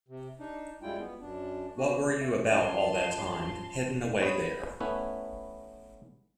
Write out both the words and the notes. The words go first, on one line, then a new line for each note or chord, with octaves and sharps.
What were you about all that time, hidden away there?
C3
D4 D#4
F#2 G3 G#3 E4 F4 G5
B3
F#2 D4
A#3 D4 F#4
E5
F3 C#4 A#4 A5 C6
B3 C#5 B5
A3 B3 C#4 E4 B4